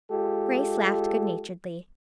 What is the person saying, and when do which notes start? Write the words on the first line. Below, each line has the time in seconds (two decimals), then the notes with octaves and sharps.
Grace laughed good-naturedly.
0.11 G#3 F4 G4 A4